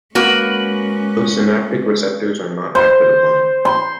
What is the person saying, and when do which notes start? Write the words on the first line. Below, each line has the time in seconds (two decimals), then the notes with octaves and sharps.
Postsynaptic receptors are not acted upon.
0.15 G#3 A#3 C#4 F#4 B4
2.75 C5
3.65 C6